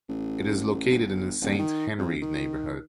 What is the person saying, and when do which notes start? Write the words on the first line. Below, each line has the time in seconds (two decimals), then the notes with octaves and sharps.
It is located in the Saint-Henri neighbourhood.
0.08 A1
0.91 G1
1.41 D#1
1.59 D#3
1.98 F2
2.22 D#3